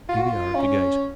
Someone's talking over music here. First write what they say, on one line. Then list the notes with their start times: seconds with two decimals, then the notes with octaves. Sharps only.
Here we are at the gate.
0.09 F4
0.17 F#4
0.26 F4
0.55 C#4